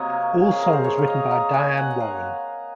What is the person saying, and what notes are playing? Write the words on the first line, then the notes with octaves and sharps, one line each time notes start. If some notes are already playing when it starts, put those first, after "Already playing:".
All songs written by Diane Warren.
Already playing: C3 F#3 A#3 C#5 D#5
G#4
A#4
C5
C#5
F5
D#5
A#5
G#5
F#5
F#5
F5